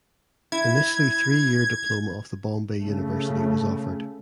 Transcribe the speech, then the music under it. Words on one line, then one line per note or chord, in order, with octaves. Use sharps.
Initially three year diploma of the Bombay University was offered.
E4 G#6
C#3 A3